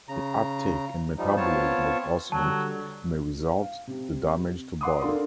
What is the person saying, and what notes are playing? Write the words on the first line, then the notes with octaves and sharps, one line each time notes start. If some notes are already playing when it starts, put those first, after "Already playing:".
The uptake and metabolism of arsenic may result the damage to body.
C#3 A#5
F3 G3 D#4
B3 C4 F4 C#5 A5
D3 F#3 G3 A5
F5
C3
D5 F#5 C6 D6 D#6
D4 A4 A#4 F5 C6